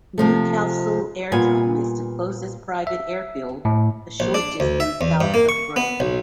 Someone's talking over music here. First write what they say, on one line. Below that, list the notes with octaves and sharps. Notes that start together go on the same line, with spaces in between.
Newcastle Aerodrome is the closest private airfield a short distance south of Bray.
C3 F3 A3
A#2 G3 B3 G#5
E5
A2
A#1
D4
D2
E5
E2
G2
A#3
C#6
B3
B1